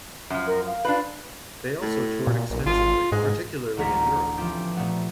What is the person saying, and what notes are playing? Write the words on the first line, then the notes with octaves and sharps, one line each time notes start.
They also toured extensively, particularly in Europe.
F#2 F3
A#4
F5
D4 F4 B4
A2
A#2
B1 A#2
G#1 F4
G#2 G#3
A1 D2 A#5 C#6 B6
E3 F3 C4 F4 G4
A#2 A3 B3